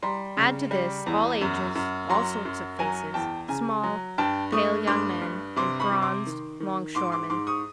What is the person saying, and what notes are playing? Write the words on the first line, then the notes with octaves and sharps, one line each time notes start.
Add to this, all ages, all sorts of faces, small, pale young men, and bronzed longshoremen.
G3 A#5 C6
C#3
G3
E2
F#2
F#2
F#3 A#5 C6
F#2
F#3 G#5 A#5
E2 G5 A5
C#3 G#5 A#5
F#3
G2 G5 A5
A3 C#6 D#6
G2 C6 D6
G2
C3 C6 D6
B5 C#6
C3
C6 D6
D#3
D#3
G#2 C6 D6
C6 D6
G#2 C6 D6
C#6 D#6